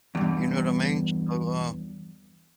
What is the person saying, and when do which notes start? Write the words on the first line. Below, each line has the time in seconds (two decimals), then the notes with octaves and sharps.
you know what I mean? So, uh,
0.15 E2 G2